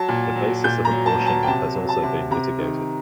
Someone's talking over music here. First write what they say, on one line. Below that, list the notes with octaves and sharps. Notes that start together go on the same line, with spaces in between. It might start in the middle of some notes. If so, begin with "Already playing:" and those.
The basis of apportionment has also been litigated.
Already playing: F#3 A5
A#2
F#3
A#2 G6
A#5
F#3
A5
F#3
A5
G5
C3 A5
F#3
A5
C3
C3 A#5
D#3